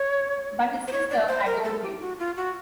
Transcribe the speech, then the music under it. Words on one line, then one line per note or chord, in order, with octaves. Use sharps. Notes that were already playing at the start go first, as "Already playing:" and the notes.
But his sister adored him.
Already playing: C#5
C5
C#5
D5
C5
A#4
A4
G4
F#4
F4
F#4